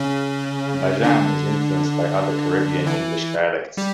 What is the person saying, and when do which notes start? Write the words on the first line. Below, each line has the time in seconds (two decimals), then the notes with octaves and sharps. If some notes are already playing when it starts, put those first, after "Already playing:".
Bajan is influenced by other Caribbean English dialects.
Already playing: C#3 C#4
1.03 D3 D4
2.86 E3 E4
3.77 G3 G4